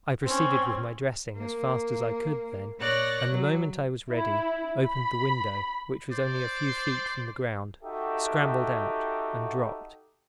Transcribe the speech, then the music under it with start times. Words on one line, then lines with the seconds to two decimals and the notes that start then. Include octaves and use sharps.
I proceeded with my dressing as fast as I could then; and the moment I was ready, opened the window, which was only a few feet from the ground, scrambled out, and dropped.
0.24 C4 C#4
1.36 A#3
2.79 A#2 C#5 D5 F#6 A#6
3.30 F#3
4.12 E4
4.86 B5
6.12 C5 D5
7.84 D#4 F#4 G4 A4 E5 G5